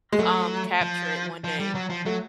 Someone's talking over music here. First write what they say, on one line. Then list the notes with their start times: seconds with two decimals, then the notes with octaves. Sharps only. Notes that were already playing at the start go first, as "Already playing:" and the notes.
um, capture it one day
0.12 G#3
0.19 F#3 A3
0.81 F3
1.44 F3
1.60 G3
1.75 F#3
1.90 F3
2.05 F#3 A3